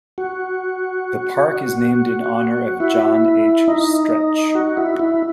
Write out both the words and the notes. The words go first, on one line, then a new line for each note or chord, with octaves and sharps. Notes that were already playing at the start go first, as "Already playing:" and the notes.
The park is named in honor of John H. Stretch.
F#4
E4
D#4
F#4
E4
E4